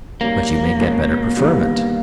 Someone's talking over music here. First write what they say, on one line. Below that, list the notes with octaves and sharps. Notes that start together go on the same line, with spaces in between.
"But you may get better preferment."
G#2 G3 A#3 C#4
B2 G#3 C#4
G2 D#3 G3 B3